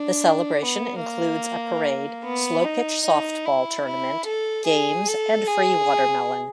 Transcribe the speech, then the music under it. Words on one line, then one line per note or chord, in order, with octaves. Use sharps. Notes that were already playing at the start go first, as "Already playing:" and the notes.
The celebration includes a parade, slow pitch softball tournament, games and free watermelon.
Already playing: D4
B3
A#3
B3
D#4
D#4
E4
E4
A4
G#4
A4
G#4